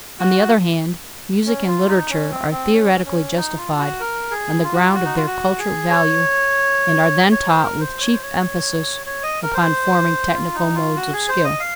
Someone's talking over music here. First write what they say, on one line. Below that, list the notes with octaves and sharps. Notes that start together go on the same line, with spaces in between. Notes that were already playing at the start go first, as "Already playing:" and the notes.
On the other hand, music and literature are theoretically justified on the ground of their culture value and are then taught with chief emphasis upon forming technical modes of skill.
F#4
C#4
F4
D#4
C#4
C4
C4
C#4
C#4
D#4
F4
F#4
A#4
G#4
F4
F#4
F4
F#4
D#4
F4
F#4
G#4
C#5
C#5
C5
A#4
C5
C#5
C5
C#5
C#5
D#5
A#4
C5
F4
D#4
F4
F#4
G#4
C5
D#5
F5